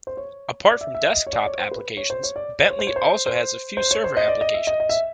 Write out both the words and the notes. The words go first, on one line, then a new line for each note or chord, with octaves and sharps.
Apart from desktop applications, Bentley also has a few server applications.
C5
C#5
D5
E5
E5
D#5
C#5
D5
C#5
C5
B4
C#5
C5
C#5
D5
C5
C#5
C5
C#5
C5
C5
C5
C#5
C5
D#5
D5
D#5
E5
D#5
D#5
E5